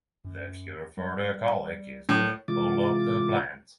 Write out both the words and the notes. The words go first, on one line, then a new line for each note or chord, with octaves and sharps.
The cure for the colic is to pull up the plant.
F#2
G3
A2 F#3
C3 E3 G#3 F4 D6 A6